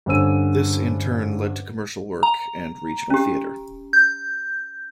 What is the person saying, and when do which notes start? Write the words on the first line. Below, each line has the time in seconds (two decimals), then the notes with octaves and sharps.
This, in turn, led to commercial work and regional theatre.
0.06 G2 D3 C#4 C5 E6 D#7
2.23 A#5
3.10 C#4 G4
3.93 G6